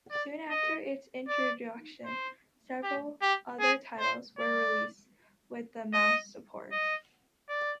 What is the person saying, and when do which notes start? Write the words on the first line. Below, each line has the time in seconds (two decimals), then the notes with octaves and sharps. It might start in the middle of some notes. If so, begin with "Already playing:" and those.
Soon after its introduction, several other titles were released with the Mouse support.
0.11 D5
0.50 D#5
1.28 D5
2.05 C5
2.83 G4
3.22 G4
3.60 G#4
3.99 C5
4.39 D5
5.93 D#5
6.72 D#5
7.49 D5